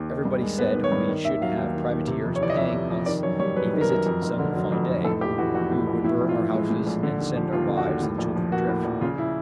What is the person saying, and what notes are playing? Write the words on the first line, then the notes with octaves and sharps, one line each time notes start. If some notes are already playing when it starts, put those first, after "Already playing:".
Everybody said we should have privateers paying us a visit some fine day, who would burn our houses, and send our wives and children adrift.
Already playing: D#2
D#3
G2
G#3
B3 B4
D#3
C#5
G2
D#3
D#2 E5
F#3 F5
D#2
D#3
D#2
C3
F2
C#5
E3 D5
D#5
F2 E5
C3
F2
D#3 D5
F#2 C#5
G3 C#5
F#2 B4
D#3
A#4
F#2
F2
F1
D3
F#3
F2
F1
A2 A4
A#1 G4
E3 F#4
A#1 F#4
A2
A#1
A2 E4
A#1
F4
E3
G#3
A2
A#1
D3
D#2
F3
D#2 F4
D3
F#4
D#2
A2
A#1
F3
A#3 F#4
A2
A#1
C#3 F4
E4